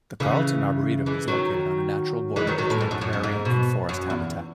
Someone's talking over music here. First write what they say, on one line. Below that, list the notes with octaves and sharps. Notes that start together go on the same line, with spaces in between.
The Carleton Arboretum is located on a natural border between prairie and forest habitat.
C#3 E3
E3 G#3
D#3 F#3
E3 G#3
D#3 F#3
D#3 F#3
A2
G#2
F#2
F#2
F#2
G#2
B2
F#2
E2